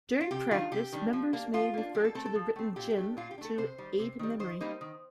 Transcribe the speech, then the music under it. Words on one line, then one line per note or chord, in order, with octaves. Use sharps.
During practice, members may refer to the written "gin" to aid memory.
F4
C3 G4
D#3 G3 D4 F4
C3 G4
D#3 G3 D4
F3
A#3 D4
F3 F4
A#3 D4
F3 G4
A4
A3 C4 A4
A4
F3
A3 C4
A#2 G4
A3 D4
A#2 F4
G4
D4
A3 A4
C3 C5
D#3 G3
C3
D#3 G3
D#3 C5
G3 A#3 D#4
D#3